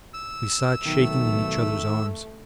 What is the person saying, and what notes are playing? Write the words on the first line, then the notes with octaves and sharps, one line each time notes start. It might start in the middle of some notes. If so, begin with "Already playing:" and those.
We sat shaking in each other's arms.
E6
B1 D#3 A3